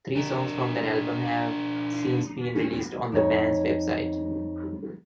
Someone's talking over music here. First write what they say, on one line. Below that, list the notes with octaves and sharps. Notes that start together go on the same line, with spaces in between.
Three songs from that album have since been released on the band's website.
D4 A#4
F2 D#4 C#5